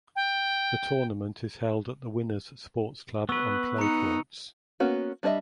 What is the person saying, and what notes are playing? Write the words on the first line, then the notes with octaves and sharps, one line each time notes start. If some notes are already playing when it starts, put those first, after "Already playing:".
The tournament is held at the Winners Sports Club on clay courts.
G5
B3 B4 C#6 E6
D#4 A#5 C#7
A#3 B3 C#4 F#4
G3 D4 C5 D#5 E5